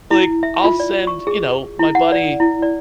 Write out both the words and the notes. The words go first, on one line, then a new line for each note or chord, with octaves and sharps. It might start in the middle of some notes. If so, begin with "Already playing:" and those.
like, I'll send you know, my buddy,
E4
E5
F4
D5
C#6
G#4
E4
F#5
D5
E4
D5